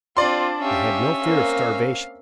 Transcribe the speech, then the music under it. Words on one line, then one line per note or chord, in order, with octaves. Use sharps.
They had no fear of starvation.
C4 D4 F4 D5 C6
C#4 G4 E5 F5
A#3 C4 F5